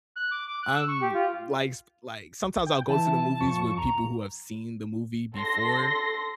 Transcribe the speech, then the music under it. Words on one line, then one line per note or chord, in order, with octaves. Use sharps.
I'm, like, sp like, sometimes I'll go to the movies with people who have seen the movie before,
F#6
D6
D6
F#6
E6
C#6
G4
F4
G5
E3 A5
F2 C#6
A#5
A4 C6 A#6